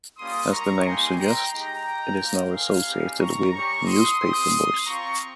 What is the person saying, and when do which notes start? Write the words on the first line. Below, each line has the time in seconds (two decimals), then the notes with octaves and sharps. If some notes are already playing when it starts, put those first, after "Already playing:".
As the name suggests, it is now associated with newspaper boys.
0.18 G3 A#3 C#4 F4 C6 D#6
0.52 A#5 C#6
0.85 G3 A#3 D#4 G4 G#5 C6
1.18 G5 A#5
1.52 G#3 D#4 G4 G5 A#5
2.19 A#3 F4
2.52 F5 G#5
2.86 G3 C4 D#4 G4
3.20 A#5 C#6
3.53 G3 C#4 G4 A#5 C#6
3.86 C6 D#6
4.20 C4 G4 C6 D#6
4.87 C4 F4 A#5 C#6